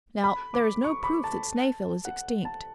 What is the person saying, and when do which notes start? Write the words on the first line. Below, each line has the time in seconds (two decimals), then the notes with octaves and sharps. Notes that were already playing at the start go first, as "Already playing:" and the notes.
Now, there is no proof that Snaefell is extinct.
0.24 B5
0.54 D6
0.84 C#6
1.03 B5
1.24 A5
2.05 F#5
2.45 A5